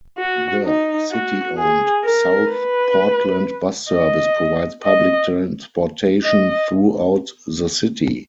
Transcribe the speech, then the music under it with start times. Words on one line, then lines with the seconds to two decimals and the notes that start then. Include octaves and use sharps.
The city-owned South Portland Bus Service provides public transportation throughout the city.
0.18 F#4
0.65 D#4
1.12 F#4
1.58 G#4
2.04 A#4
2.51 B4
3.91 D#5
4.84 D#5
6.24 D#5